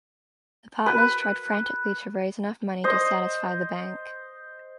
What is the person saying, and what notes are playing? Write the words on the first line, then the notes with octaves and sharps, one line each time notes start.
The partners tried frantically to raise enough money to satisfy the bank.
B4
C5 D#5